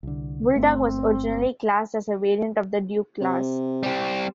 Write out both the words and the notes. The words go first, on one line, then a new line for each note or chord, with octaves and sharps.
"Bulldog" was originally classed as a variant of the Duke Class.
C2 D3
G1 A3 C4
C3
G3 C4